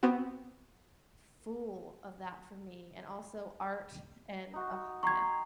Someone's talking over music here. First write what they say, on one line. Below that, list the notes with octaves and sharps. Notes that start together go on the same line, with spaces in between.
full of that for me, and also art, and, oh, man,
B3 C4 F#4
D#4 F#4
G5 A#5 C6 C#6 G#6